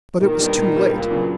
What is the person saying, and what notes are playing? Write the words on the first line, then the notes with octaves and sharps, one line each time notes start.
But it was too late.
A#2 D#3
G3 B3 D4 G4
A#2
G3 B3 D4 G4
C#2 A#2
C#3 F#3 B3 D4